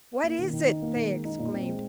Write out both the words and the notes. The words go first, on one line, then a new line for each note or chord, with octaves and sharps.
"What is it?" they exclaimed.
A#3
D#3
D#3
D#4
A#3
D#3
G#3
D#4
A#2
C4
G#3